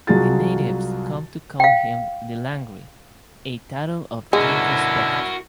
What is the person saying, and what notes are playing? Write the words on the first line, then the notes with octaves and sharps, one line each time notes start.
The natives come to call him the "Langri", a title of deep respect.
C2 F#3 F4 F#4 G#4 A6
F5 G5
B2 D3 G#3 C#4 E4 F#4 A#4